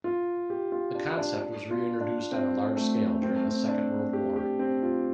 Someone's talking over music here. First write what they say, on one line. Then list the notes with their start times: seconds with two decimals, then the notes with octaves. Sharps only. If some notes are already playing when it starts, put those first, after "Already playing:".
The concept was re-introduced on a large scale during the Second World War.
0.04 F4
0.50 G4
0.72 F4
0.95 D4
1.17 D4
1.40 D4
1.71 F4
2.01 D4
2.32 C4
2.77 A3
3.22 C4
3.36 A3
3.48 C4
3.69 D4
4.13 G4
4.36 G4
4.59 C4
4.83 F4